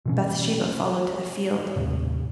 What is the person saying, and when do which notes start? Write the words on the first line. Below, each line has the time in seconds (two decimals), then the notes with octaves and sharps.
Bathsheba followed to the field.
0.06 B2 E3 C#4
1.76 D#2 A2 C3